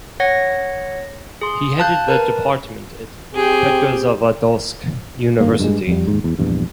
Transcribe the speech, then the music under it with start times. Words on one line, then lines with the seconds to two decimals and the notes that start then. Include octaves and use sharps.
He headed the department at Petrozavodsk University.
0.20 C#5 F#5 A#6
1.41 G#4 C6
1.78 F5 A5 F#6 G6
2.08 A#4 B4 A5
3.35 C4 G4 G#4 G5
5.40 G2 D#3 A#3
5.59 G2 G3 G#3
5.87 F2 G3
6.07 D#2 G#2
6.24 E2
6.39 A#1 E2 G2